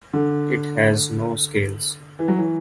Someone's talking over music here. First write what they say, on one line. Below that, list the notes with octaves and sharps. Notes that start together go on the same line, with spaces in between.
It has no scales.
D3
E3
F#3
E3